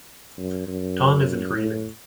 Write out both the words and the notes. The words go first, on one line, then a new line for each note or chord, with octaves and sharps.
Tom isn't grieving.
F#2
F#2
A2